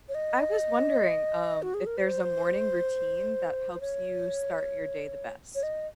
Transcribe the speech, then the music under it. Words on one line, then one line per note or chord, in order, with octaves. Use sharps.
I was wondering, um, if there's a morning routine that helps you start your day the best?
C#5
D#5
F#4
G#4
A#4
C5
C#5
C#5
D#5